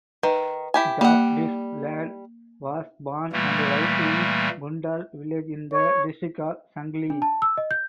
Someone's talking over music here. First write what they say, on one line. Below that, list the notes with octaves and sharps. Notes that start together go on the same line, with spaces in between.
Jagdish Lad was born and raised in Kundal village in the district of Sangli.
D#3 B4
E4 G4 G#5
G3 A#3 F#5
A#2 E3 G3 A3 A#3
C#5
D4
A5
E6
D#5
G6